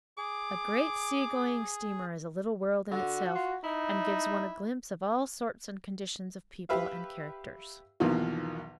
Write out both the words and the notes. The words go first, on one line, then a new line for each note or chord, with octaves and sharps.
A great sea-going steamer is a little world in itself, and gives one a glimpse of all sorts and conditions of people and characters.
G#4 D6
D3 F#4
F4
D#4 E4
G4 B4 E5 F5
B1 E2 B2 D#3 F3 A#3